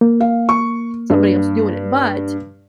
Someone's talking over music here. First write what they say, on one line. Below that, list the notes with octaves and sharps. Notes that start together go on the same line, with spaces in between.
somebody else doing it, but
A#3
F5
C#6
G2